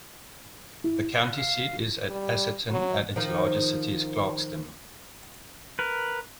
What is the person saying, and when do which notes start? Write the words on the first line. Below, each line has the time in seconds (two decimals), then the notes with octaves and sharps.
The county seat is at Asotin, and its largest city is Clarkston.
0.84 E4
1.37 F5
2.10 G3
2.70 F#3
3.16 D#3 F3
5.79 A#4 B4